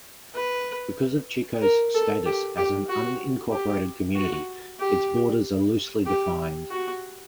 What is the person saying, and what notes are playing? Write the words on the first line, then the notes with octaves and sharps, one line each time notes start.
Because of Chico's status as an unincorporated community, its borders are loosely defined.
B4
A#4
A4
G4
G4
F#4
G4
F#4
G4
G4
F#4